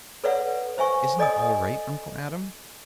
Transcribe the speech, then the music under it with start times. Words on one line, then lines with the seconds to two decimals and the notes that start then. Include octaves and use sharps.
"Isn't it all right, Uncle Adam?"
0.24 A4 B4 C#5 D5 E5 F#5
0.78 C5 E5 G#5 C#6
1.19 A4 D5 D#5 G#5 D#6